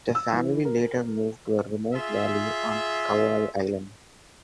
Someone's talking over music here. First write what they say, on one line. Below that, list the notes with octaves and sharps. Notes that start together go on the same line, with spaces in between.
The family later moved to a remote valley on Kauai island.
E6
E3
A#4
F4 G#4 E5